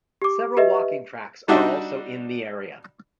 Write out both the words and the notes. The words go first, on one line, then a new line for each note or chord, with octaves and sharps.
Several walking tracks are also in the area.
G4 D6
G4 B4 D#5 E5
G3 D4 D#4 F#4 D5 E5